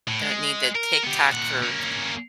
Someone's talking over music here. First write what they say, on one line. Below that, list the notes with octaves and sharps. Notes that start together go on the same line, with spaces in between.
don't need the TikTok for
A2
G#3
A#4
B3 G4
A#2 F#5
A#3 C#4